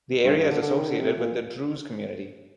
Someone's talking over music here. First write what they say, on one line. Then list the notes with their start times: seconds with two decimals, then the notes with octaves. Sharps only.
The area is associated with the Druze community.
0.24 G2
0.37 G2
0.50 D3
0.62 D3
0.75 D#3
0.88 D3
0.99 C3
1.18 A#2